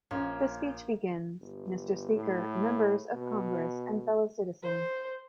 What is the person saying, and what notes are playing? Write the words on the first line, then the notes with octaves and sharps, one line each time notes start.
The speech begins: Mr. Speaker, members of Congress and fellow citizens.
A#1 A#3 C#4 C6
G1
A2
B2
C5